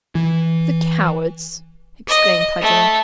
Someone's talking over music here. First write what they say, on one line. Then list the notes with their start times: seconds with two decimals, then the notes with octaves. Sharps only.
"The cowards!" exclaimed Paganel.
0.15 E3
2.08 D#5
2.61 A3